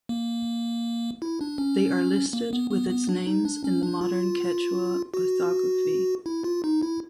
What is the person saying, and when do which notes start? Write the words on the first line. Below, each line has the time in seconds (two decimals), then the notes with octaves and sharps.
They are listed with its names in the modern Quechua orthography.
0.09 A#3
1.22 E4
1.41 D4
1.58 C#4
2.33 A#3
2.53 B3
2.71 B3
2.90 B3
3.09 D4
3.27 D#4
3.45 D4
3.64 C#4
3.83 D4
4.01 F4
5.14 F#4
6.26 E4
6.44 F4
6.64 D#4
6.83 E4